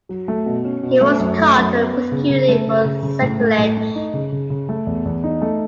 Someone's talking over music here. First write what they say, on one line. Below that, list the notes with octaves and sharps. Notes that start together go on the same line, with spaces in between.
He was caught and prosecuted for sacrilege.
F#3
A3
B2
C#4
B2
A3
F#2
A3
F#2
B3
B3
C#3
C#3
A3
C#3
C#3
C#3
A2
A3
A2
A3
D#4
C#3
C#3
C#3
A3
E2
E2
D#4
A3